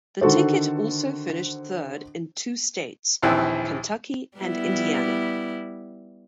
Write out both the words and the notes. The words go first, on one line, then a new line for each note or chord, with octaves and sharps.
The ticket also finished third in two states: Kentucky and Indiana.
D3 D#3 F#4 A4 C5
A#1 D#2 E3 C4 E4
G3 B3 E4